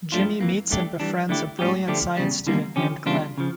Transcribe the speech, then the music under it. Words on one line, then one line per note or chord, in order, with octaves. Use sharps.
Jimmy meets and befriends a brilliant science student named Glenn.
G2 F3 A3 D4 F4
F2 E3 A#3
G2 D3 A3 D4 G4
E3 G3 D4
D3 A3 E4 G4
A2 G3 C#4 G4
D3 F3 A3 D4 G4
E2 C#3 G3
E2 D3 G3 A#3
D3 F3 C#4 G4
E2 C#3 G3 D4 F4
C#3 F3